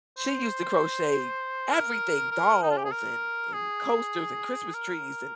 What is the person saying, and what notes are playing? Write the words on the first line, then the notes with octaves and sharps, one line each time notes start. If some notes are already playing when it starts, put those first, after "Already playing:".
she used to crochet everything, dolls and and coasters and Christmas trees, and
C5
A#4
A#4
D#4
F4
G4
G#4
A#4
G#4
A#4